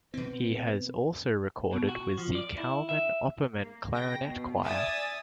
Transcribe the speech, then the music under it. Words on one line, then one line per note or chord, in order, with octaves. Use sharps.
He has also recorded with the Kalmen Opperman Clarinet Choir.
B2 C4 B4
B2
F#4
F3
D5
E4
E5
A#3
C#3 G5 A#6
B2
D5 E5 G#5 D#6 A6